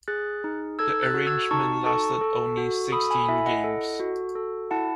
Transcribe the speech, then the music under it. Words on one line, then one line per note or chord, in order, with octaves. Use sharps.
The arrangement lasted only sixteen games.
G#4 F#6 A6
D#4
A4 E6 G#6
F#6 A6
F#4
E6 G#6
D#4 A5 C#6
A4 A5 C#6
A4
F#4
A4 B5 D#6
G#5 B5
E4 E5 G#5
D#5 F#5
A4
F#4
A4
E4 F#5 A5